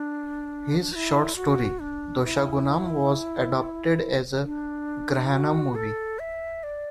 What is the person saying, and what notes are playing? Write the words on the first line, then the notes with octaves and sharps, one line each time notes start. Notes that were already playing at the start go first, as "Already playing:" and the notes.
His Short story Doshagunam was adapted as a Grahanam movie.
Already playing: D4
D4
F#4
E4
F#4
D4
E4
D4
F#4
A4
E5
D5